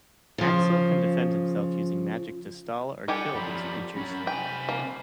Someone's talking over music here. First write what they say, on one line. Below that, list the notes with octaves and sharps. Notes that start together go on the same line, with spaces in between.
Axil can defend himself using magic to stall or kill these creatures.
C#3 F3
G3 G4 A4 F#5 G#5
F#2 F3 B5
F#3 C#4 B5
C3 G5 G#5
A#3